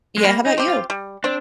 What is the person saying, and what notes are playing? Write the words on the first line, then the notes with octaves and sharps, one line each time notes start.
Yeah, how 'bout you?
G#3
G3 A#3
D#4
C4 G4
F4
G3
C4 D4